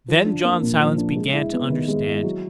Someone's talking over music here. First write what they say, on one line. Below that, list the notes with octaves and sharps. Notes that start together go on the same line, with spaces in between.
Then John Silence began to understand.
F3
D4
A#3
A#2
F3
D4
G#3
E4
B3
D#3
G#3
E4
F#3